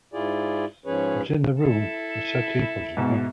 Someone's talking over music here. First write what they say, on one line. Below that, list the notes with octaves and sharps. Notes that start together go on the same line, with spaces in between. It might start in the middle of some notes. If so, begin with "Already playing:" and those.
But in the room the settee puzzled me.
G#2 E4 F4 G#4 D5
G#2 F3 C#4 G#4 B4 C#5
E4 A4
G#2 B2